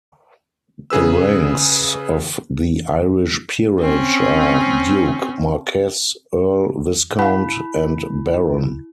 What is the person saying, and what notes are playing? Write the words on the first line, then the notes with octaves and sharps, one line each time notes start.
The ranks of the Irish peerage are Duke, Marquess, Earl, Viscount and Baron.
C#3 G#4 B4 E6
C4 C#4
E4 F5 F#5 B5